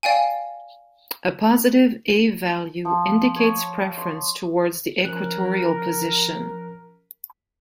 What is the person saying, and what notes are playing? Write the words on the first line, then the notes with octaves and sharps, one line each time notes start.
A positive A value indicates preference towards the equatorial position.
D5 F5 G5 G#5
F3
C#5
C6
F3 C#4 A#4 F#6